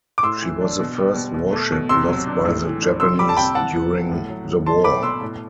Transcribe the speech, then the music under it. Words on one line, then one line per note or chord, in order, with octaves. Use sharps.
She was the first warship lost by the Japanese during the war.
D6
A2 C6 E6
E3
D4
B2
G3
B2
B2
A3
B2
C3 C6 E6
F#3
D4
A2
E3
D4
C3 C6 E6
G3 B5 D6
A5
C3 G5 B5
E3 F#5 A5
B3
E3
A2
F#3
A2
B2 A5 C6
A3 B5 D6
B2 C6 E6
A2